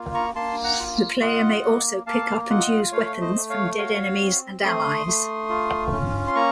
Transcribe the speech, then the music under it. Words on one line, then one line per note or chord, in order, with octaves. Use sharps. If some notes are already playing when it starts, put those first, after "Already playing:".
The player may also pick up and use weapons from dead enemies and allies.
Already playing: A#3 F4
A#5 C#6
A#3 A5 C6
F#5 A#5
F4
F4 D#5 F#5
A#3
A#3 F5 A5
F4 D#5 F#5
A3 C#5 F5
C5 D#5
A3
C#5 F5
F#4 C#5 F5
C4
A3 C6 D#6
A3
F4
C#4
C6
A#3 A#5 C#6